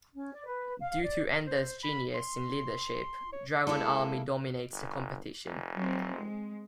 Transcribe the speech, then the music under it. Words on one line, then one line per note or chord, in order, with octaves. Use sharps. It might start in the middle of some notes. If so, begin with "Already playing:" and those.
Due to Ender's genius in leadership, Dragon Army dominates the competition.
C#4
D5
B4
F5
D5
C5
B5
C6
C#5
G#3 A#3 E4 A4
G1
F1
F#3 C4
G#3